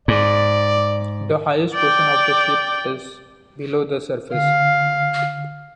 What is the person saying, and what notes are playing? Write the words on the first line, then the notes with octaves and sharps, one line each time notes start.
The highest portion of the ship is below the surface.
G#2 D5
D5 G5
D3 F5